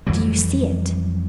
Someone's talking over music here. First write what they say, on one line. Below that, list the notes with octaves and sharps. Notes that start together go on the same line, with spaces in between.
"Do you see it?"
F2 E3 F#3 G3